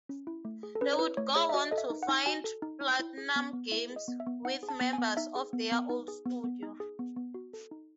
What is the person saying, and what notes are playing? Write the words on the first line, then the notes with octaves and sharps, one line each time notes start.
They would go on to found PlatinumGames with members of their old studio.
C#4
E4
A3
G#4
A4
C#4 B4
C#5
E4 B4
A3 C#5
G#4 C#5
E5
F#4 D#5
A4 D#5
E5
D#4
F#5
D#4
F#4 G#5
A4
D#4
D#4
E4
G#4
B3
B3
E4 E5
G#4
D#5
B3
E5
B3
D#4 F#5
G#4
A5
B3
G#5
B3
D#4 E5
G#4
B3
B3
D#4
G#4
B3
B3
D#4
G#4
B3
B3
F#4
A4
D#4